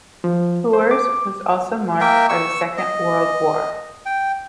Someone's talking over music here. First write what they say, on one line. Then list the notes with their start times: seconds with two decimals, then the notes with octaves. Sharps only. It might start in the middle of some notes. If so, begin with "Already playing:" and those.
Tours was also marked by the Second World War.
0.24 F3
0.73 C5
0.91 D6
2.01 A#3 A#4 E5 G5
2.29 C#6 E6
2.77 D#5
4.06 G5